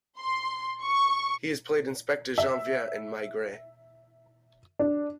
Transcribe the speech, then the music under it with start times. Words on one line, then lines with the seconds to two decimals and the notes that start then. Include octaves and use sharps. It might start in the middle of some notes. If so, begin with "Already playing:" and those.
He has played Inspector Janvier in Maigret.
0.18 C6
0.83 C#6
2.38 E5
4.79 D4